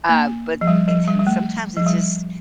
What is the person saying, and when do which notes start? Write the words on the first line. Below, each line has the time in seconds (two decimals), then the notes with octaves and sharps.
uh, but, eh and sometimes it's just
0.09 A#3
0.61 F3
0.67 G3
0.88 F3
1.08 G3
1.19 G3
1.27 A3
1.77 F3
1.86 G3